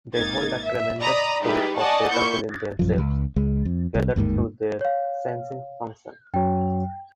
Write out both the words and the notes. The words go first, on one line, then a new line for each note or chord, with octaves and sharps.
They hold a tremendous store of data within themselves, gathered through their Sensing function.
G#1 A#3 D#4 G#6 A6
E5
D5 D#5 A#5 B5 D#6
G3 D#4 E4 G4 G#4 B4
D5 D#5 F#5 G#5 A5 C#6
A#2 E4 C#6 G6 C#7
A#1 F#2 F3
C#2
C#2 G#3
F2
C2
G1 D#2 G#2 D#3
C#5 F5
F#2 F#3 G5